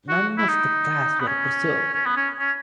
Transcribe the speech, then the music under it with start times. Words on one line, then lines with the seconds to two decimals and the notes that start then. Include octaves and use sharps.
None of the class were preserved.
0.09 F#4
0.38 E4
0.48 D#4
1.20 B3
1.27 C#4
1.94 C#4
2.06 B3
2.17 C#4
2.39 C#4